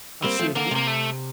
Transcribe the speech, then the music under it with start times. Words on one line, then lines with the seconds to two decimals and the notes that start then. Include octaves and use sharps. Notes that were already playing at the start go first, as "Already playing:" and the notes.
I see him!'
0.23 G3 A#3 C4
0.39 F3 A3
0.55 D3 A#3
0.71 C3 A#3
0.87 A3